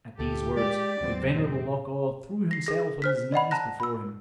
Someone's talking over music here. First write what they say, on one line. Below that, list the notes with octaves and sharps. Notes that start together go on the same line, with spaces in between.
At these words the venerable Loch-awe threw himself on his knees before him.
D2 G4 A4
G#3 D5
D#1 F#3 B3 C4
F2 A#2
A#6 C7
G#4 A#6
C5 F6 B6
D5 D#5 F#5 B5
A5 A#5 F#6 A#6
B5 E6